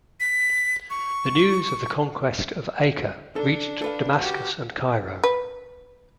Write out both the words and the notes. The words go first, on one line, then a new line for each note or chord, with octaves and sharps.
The news of the conquest of Acre reached Damascus and Cairo.
B6
C#6
D4 A4
A4 B4 F5
F#4 G4
B4